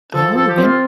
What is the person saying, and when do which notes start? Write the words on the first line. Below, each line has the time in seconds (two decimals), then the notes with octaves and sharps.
Oh, yeah.
0.14 F3 A4
0.36 F3 A4
0.49 G4
0.58 C4
0.63 F4